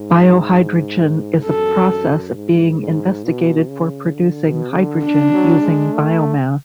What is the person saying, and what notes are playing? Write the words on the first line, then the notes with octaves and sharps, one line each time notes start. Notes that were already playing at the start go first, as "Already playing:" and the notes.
Biohydrogen is a process being investigated for producing hydrogen using biomass.
Already playing: G#2
F#2 A4
G#2
G#2
B2
C#3
D3
B2
D3
D4
F#3
G#3
A3